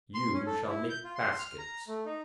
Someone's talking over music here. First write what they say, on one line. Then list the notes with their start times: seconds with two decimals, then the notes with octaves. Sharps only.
You shall make baskets.'
0.14 C6
0.34 C#4
0.46 A4
0.69 E4
0.89 G6
1.04 F4
1.15 C6
1.39 F6
1.58 A#5
1.88 A3
2.06 D#4